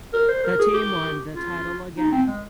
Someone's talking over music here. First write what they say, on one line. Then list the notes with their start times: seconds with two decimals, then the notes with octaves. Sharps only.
The team won the title again.
0.13 A#4
0.29 C5
0.44 A#4
0.59 G#4
0.74 G4
1.35 F4
1.97 D#4
2.12 C4
2.27 G#3